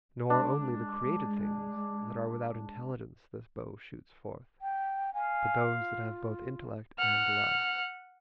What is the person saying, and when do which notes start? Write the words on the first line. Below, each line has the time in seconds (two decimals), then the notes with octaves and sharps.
Nor only the created things that are Without intelligence this bow shoots forth, But those that have both intellect and love.
0.30 G#3 D4
4.61 G5
5.14 F5 G#5
5.69 F4
6.98 F#5 F6